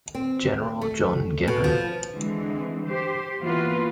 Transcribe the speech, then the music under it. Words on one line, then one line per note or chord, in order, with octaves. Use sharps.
General John Gibbon.
C4
A3
B2
F3
D3 E3 G#3 C4
G4 C5
E3 A#3 B3 F4 F#4 B4